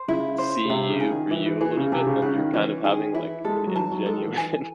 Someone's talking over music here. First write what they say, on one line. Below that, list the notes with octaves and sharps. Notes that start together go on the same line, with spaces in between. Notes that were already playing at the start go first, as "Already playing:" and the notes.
see you for you a little bit, then you're kind of having, like, an ingenuine
Already playing: C5
C#3 E4
C5
C#3
C3 E5
C#3
G#4
D#3
E3 E4
E3
E3 G#4
C#3
C3 G#4
C#3
C#3 F#5
D#3
E3 C#4
D#3 G#4
E3 E4
G#3 A4
F#3
E3 A5
F#3
G#3 A4
D#3
E3
E3 G#5